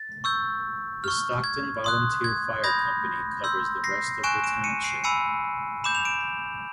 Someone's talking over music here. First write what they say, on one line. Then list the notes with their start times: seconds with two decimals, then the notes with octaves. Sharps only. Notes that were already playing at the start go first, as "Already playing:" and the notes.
The Stockton Volunteer Fire Company covers the rest of the township.
Already playing: A6
0.24 C#6 E6 G6
1.04 C#6 F6
1.44 G#6
1.84 C6 D#6 F#6
2.24 G#6
2.64 B5 D#6 G6 G#6 A#6
3.44 C6 E6 G6
3.84 A#6 C7
4.23 G#5 C#6 F#6 D7 E7
4.44 D7 E7
4.64 C#7 D#7
4.84 C7 D7
5.04 G#5 B5 E6 C#7 D#7
5.84 B5 D6 G6 E7
5.95 F7
6.05 D7 E7